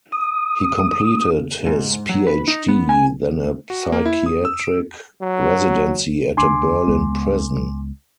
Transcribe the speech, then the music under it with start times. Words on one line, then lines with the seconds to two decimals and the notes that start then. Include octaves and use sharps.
He completed his PhD, then a psychiatric residency at a Berlin prison.
0.12 D#6
1.67 G#2
2.09 F#3
2.27 B4
2.48 D#4
2.69 B3
2.89 G#5
3.70 F#4
3.92 A#3
4.06 E4
4.26 D#6
4.45 E6
4.60 D7
5.21 F#3
6.37 D2 D4 G#5 C6 D6
6.87 C#2 G#3 B3